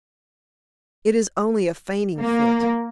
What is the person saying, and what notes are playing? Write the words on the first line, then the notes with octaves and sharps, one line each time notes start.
"It is only a fainting fit."
A#3